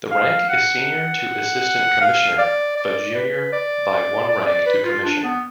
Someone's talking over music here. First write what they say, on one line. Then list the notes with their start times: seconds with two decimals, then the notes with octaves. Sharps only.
The rank is senior to Assistant Commissioner, but junior by one rank to Commissioner.
0.11 F5
0.49 F#5
2.01 F5
2.38 D5
2.76 D5
3.14 B4
3.52 D5
4.29 D5
4.47 D5
4.66 B4
4.85 F4
5.04 D4
5.24 B3